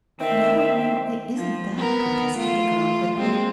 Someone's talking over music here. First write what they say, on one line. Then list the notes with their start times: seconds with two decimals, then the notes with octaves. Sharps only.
"No, no, it isn't that," protested the girl quickly.
0.20 D#3 C4 E5
1.36 F3
1.76 B3 A#4
2.38 A3 F4
3.17 G#3 A#3 C4